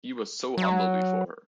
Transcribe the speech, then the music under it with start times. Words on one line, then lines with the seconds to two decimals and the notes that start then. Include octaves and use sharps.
He was so humble before her.
0.58 F#3